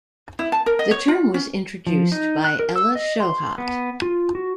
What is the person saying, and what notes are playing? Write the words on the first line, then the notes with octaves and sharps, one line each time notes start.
The term was introduced by Ella Shohat.
E4
A5
A#4
D#5
C#5
F4
C#4
F3
D#4
F#6
A#4
E6
D#5
C6
B3
F4
F#4